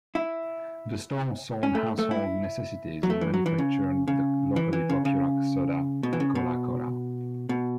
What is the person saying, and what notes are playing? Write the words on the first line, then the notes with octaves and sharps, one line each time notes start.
The store sold household necessities and manufactured the locally popular soda, Kohlah Cola.
E4
C#4
A3
A3
E4
F#3
A3
E3
F#3
E3
C#3
C#3
E3
E3
C#3
C#3
B2
E3
C#3
B2
B2